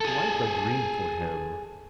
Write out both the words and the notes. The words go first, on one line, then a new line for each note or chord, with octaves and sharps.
Life a dream for him.
G#4 A4